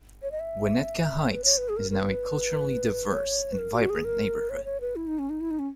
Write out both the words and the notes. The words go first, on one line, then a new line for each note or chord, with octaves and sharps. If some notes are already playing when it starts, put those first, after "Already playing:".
Winnetka Heights is now a culturally diverse and vibrant neighborhood.
C#5
D#5
E5
B4
C#5
B4
G#4
A#4
A#4
B4
C#5
B4
A#4
F#4
G#4
A#4
C#5
C#5
B4
E4
D#4
C#4
D#4
E4
D#4
C#4